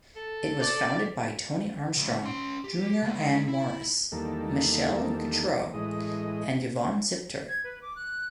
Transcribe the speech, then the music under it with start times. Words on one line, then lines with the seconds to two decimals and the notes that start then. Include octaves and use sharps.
It was founded by Toni Armstrong Junior Ann Morris, Michele Gautreaux, and Yvonne Zipter.
0.16 A4
0.60 D5
1.97 C#2
2.23 C#4 C6
2.64 G4
3.03 C#3 G#3
3.48 E4
4.12 E2 D#3 G3 A#3 A4
5.74 A2 E3 G#3 D#5
7.49 G#6
7.64 B4
7.82 D6
7.96 F#6